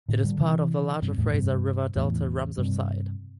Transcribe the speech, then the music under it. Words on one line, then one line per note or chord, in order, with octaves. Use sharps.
It is part of the larger Fraser River Delta Ramsar Site.
A2 D3
D3 G3
C3 E3
G2 C3
E2 A2
G2 C3
E2 A2
G2 C3